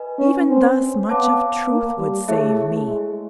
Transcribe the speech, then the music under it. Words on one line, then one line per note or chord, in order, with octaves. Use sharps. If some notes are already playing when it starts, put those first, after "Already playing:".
Even thus much of truth would save me!
Already playing: B4 D#5 G#5
C#4
C4
B3 C#5 F5 A5 D6
A#3
G3
A3 E4 G#4 C#5 E5
A3
G#3